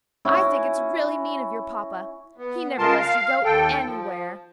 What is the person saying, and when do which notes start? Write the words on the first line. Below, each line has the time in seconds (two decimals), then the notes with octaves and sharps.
"I think it's really mean of your papa; he never lets you go anywhere."
0.25 C#4 E4 F#4
2.38 B3
2.78 C#3 G#3 F4 A#4 A5 C6
3.00 F5
3.45 D#2 A4 G5
3.85 F3